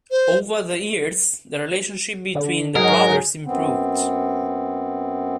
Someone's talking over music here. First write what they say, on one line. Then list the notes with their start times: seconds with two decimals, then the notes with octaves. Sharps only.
Over the years, the relationship between the brothers improved.
0.11 C5
2.35 D3
2.75 G#2 F#3 G#4 A#4 D#5 F#5
3.45 F#2 B3 C4